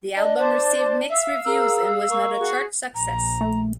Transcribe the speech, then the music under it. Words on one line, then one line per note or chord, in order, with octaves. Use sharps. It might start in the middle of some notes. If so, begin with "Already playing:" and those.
The album received mixed reviews and was not a chart success.
D4 D#5
C5 A5 C6 D6
E5 F5 E6
G#4 A#4
A#3 C#6
F#4 G#4
A#1 A#5
A3